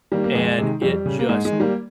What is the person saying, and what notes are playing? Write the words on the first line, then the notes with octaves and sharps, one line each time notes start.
and it just
D#3 G3 A#3
A#3
F2 G#3
C3 D#3
F2 G3
C#3
A#3
G#2 G#3
G#3
D#3
G3 A#3